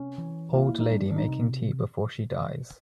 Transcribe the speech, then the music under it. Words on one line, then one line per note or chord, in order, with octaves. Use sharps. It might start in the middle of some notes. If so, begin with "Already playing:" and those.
Old lady making tea before she dies.
Already playing: C3 C#4
E3
A#3 F4
E4
D#4
G3 D4
D4
D#4
C3